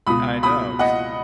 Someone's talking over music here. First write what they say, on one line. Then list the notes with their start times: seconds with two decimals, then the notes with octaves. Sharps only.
I know.
0.07 C#2 B2 B5 D#6
0.43 B5 D#6
0.79 D#5 F#5